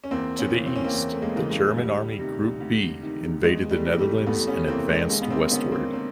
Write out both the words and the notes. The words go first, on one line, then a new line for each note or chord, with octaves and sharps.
To the east, the German Army Group B invaded the Netherlands and advanced westward.
C#4
E2 A#3 C4
B3 C#4
C#3 E3
C4
C#4
A#3 C4
E2
A3
G#3 A#3
C#3 E3
G#3
D2 G3
C3 D#3
D2
C3 D#3
E2 G#3
G3 A3
C3 E3
G3 A3
E2 A3 B3
B3 C#4
C3 E3 A#3 C4
G#3
D#2 G#3
B3
A#3 C4
D3 B3 C#4
A#3 C4
A#3 C4